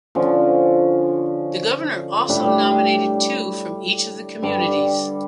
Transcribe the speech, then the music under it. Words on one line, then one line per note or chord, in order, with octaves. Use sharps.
The Governor also nominated two from each of the communities.
D3 F3 C#4
A2 G3 D4 G4
G2 D3 G3 D4